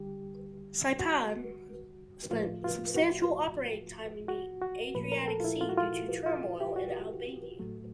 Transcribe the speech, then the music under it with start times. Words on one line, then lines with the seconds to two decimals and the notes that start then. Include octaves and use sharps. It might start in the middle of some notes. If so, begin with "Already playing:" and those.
"Saipan" spent substantial operating time in the Adriatic Sea due to turmoil in Albania.
Already playing: D3 G3 G4
0.99 F#4
2.31 A2 F3 A3 F4
2.64 F4
2.96 F#4
4.28 F#4
4.62 F#4
4.95 A#2 F3 A3 B4
5.12 A#4
5.28 A4
5.40 F4
5.44 E4
5.61 F4
5.69 F#4
5.78 F4
6.26 F4
6.60 G4
6.76 F#4
7.59 A2 F#3 A3